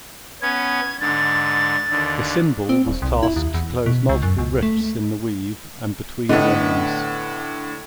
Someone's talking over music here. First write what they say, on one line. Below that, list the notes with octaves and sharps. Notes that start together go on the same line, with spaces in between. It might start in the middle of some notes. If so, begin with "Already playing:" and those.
The Simbul was tasked to close multiple rifts in the Weave and between realms.
B3 C#4 G#6
G#2 D3 A6
D#2 D3
C4
D1
C2
E4
D#2
E2
B2
C#2
F#2
C#2
A3
A2 D3 B3 D#5